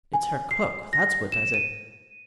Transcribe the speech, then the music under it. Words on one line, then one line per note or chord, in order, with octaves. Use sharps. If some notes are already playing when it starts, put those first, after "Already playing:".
It's her cook, that's what does it.
G#5
C7
A#6
E7
D#7